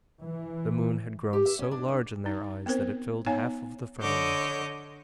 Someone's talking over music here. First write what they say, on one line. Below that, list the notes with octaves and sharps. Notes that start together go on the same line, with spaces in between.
The moon had grown so large in their eyes that it filled half of the firmament.
E3
G4
E5
C#4
D4
D4
D#4
B3 C4 A#4 C5
B3 D#4 C#5 F5 G#5
D3 C#5 D#5 D6 G6